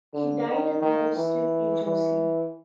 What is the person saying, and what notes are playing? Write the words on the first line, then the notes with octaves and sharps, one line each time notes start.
He died at Morristown, New Jersey.
D3
D#3
D#3
E3
E3